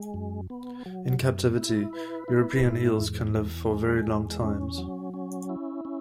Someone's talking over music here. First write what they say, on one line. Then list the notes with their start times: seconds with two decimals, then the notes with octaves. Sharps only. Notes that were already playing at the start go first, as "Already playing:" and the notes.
In captivity, European eels can live for very long times.
Already playing: G#3
0.14 F#2
0.50 B3
0.86 F#3
1.21 F#2
1.57 E4
1.93 B4
2.28 E4
2.64 G#2
2.99 E2
3.35 E2
3.71 G#3
4.07 E2
4.43 C#4
4.78 F#3
5.14 C#4
5.49 E4
5.85 C#4